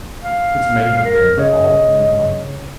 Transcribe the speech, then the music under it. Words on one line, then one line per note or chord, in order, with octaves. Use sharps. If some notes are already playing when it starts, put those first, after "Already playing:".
It may have been all in one.
F5
A#4
C#3 C#5 D#5